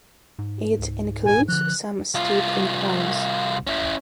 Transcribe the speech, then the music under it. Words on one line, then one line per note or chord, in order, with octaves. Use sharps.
It includes some steep inclines.
G#2
C#2
D#1 G#1 A#2 G#5
D3 F3 F#6
C2 F4
C#4 E4